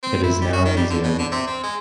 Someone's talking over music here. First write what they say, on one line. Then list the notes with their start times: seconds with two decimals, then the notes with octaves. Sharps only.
It is now a museum.
0.03 C4
0.23 E4
0.41 G3
0.53 F#4
0.65 D#3
0.77 G3
0.90 D3
1.03 B2
1.19 D3
1.31 C3
1.47 C4
1.63 G#3